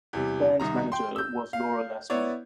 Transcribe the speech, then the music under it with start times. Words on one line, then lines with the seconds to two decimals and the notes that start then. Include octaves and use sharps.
The band's manager was Laura Lassman.
0.13 E2 C3 G3
0.60 C2 D#3 A#5
0.92 G5 C6
1.16 E6 G6
1.53 F5
2.10 B3 E4 C#5 D5